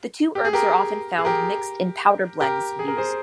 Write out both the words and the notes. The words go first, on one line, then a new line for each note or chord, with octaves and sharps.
The two herbs are often found mixed in powder blends used.
G4
G#4
G4 A#4
G#4
G4 A#4
G4 A#4
G#4
A#4
G#4 C5